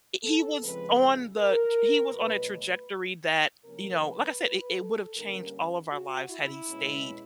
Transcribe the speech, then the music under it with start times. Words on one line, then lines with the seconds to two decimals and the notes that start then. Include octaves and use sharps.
He was on the he was on a trajectory that, you know, like I said, it it would have changed all of our lives had he stayed
0.23 A4
0.61 F2 C#3 F3 G#3 C4 B4
1.37 A#4
2.12 B2 F#3 A3 B4
2.51 B4
3.64 C3 F3 A#3 C#4 A#4
4.02 B4
4.40 B4
4.78 A4
5.16 G2 D3 G3 A#3 C#4 A#4
5.92 F#4
6.30 E4
6.68 B2 G#3 C#4